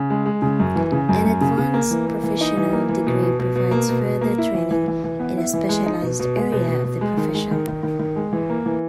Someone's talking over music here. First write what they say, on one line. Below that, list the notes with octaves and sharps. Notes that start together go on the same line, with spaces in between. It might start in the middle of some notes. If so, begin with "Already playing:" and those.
An advanced professional degree provides further training in a specialized area of the profession.
Already playing: C#3
G#3
G#3
C#3
F#2
E3
C#3
F#2
F#2
C#3
C#3
A#3
E3
A#3
E3
D#4
E3
A#3
E3
B2
B2
B2
B2
A#3
B2
B2
A#3
E4
E3
E3
E3
E3
B3
E4
E3
G#3
D#4
B2
B2
G#3
B2
B2
B2
G#3
D#3
G#3
D#3
D#3
D#3
D#3
G#3
E3
A#3
E3